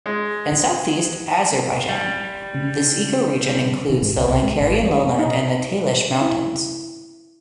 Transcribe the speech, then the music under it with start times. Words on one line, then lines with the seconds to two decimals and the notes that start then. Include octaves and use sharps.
In southeast Azerbaijan, this ecoregion includes the Lankaran Lowland and the Talysh Mountains.
0.06 G#3
1.89 G3
2.54 C#3
3.90 D#3
4.02 G#2
4.17 C#2
4.28 C2
4.43 G#3
4.60 G#1
4.82 F2
5.19 D#4
6.21 E4